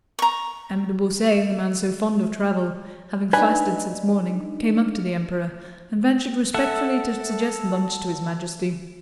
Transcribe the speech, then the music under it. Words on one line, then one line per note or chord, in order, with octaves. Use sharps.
M. de Beausset, the man so fond of travel, having fasted since morning, came up to the Emperor and ventured respectfully to suggest lunch to His Majesty.
A#5 C#6
D4 D#4 B4 G#5
A4 E5 F#5